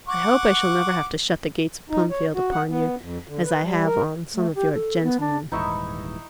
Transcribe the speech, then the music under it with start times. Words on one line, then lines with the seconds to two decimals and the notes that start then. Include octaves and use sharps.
I hope I shall never have to shut the gates of Plumfield upon you, as I have on some of your "gentlemen".
0.08 F#5 C#6 D6
1.90 D#4
2.11 C#5
2.35 F#4
2.51 F#5
2.70 B3
3.01 F2
3.28 D3
3.45 B4
3.62 G3
3.86 A#4
4.34 A3
4.55 G4
4.74 A4
5.03 B3
5.20 D4
5.52 D#1 G#2 E3 D#4 E4 C#6